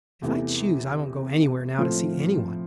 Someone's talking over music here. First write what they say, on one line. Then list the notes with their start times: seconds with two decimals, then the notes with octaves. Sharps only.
If I choose, I won't go anywhere now to see any one.
0.22 E2 C3 E3 A3
1.78 A2 F3 A3 C4